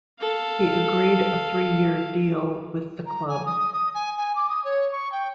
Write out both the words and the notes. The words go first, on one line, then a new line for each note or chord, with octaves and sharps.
He agreed a three-year deal with the club.
A4 F5
A#5
G#5
D#6
D#6
G#5
G#5
D6
D#6
C#5
C#6
G5